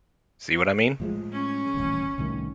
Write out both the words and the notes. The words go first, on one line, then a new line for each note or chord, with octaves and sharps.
See what I mean?
A2 F3 G#3
C#4
D#1 A1
C2 A2 D#3